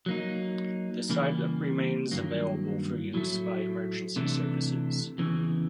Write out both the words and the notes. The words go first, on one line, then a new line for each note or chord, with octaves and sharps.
The site remains available for use by emergency services.
F#3 A#3 D#4
C#3 E3 G3 A#3
G2 D#3 F#3 A#3
A2 F#3 A3
C3 E3 A3 D4
E2 C#3 E3